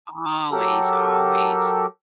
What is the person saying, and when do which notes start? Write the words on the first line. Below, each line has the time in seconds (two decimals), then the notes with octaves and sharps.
Always, always.
0.52 F#3 G4 A4 A#4